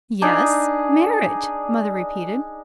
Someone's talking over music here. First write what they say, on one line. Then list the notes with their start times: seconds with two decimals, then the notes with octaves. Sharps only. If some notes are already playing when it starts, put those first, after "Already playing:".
"Yes, marriage!" mother repeated.
0.22 D4 D#4 G#4